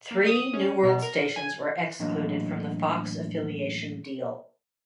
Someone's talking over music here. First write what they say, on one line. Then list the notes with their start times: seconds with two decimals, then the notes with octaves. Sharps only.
Three New World stations were excluded from the Fox affiliation deal.
0.11 A#3
0.27 D#6
0.53 C#4
0.83 B2
1.02 A#4
1.36 G#5
1.99 E2 A2 F#3 A#3 D4 D#5